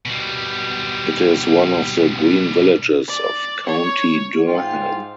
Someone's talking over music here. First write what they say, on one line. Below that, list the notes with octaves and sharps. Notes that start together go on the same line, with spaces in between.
It is one of the "green villages" of County Durham.
B2 G3
D5
C#5
G#2 F4 G5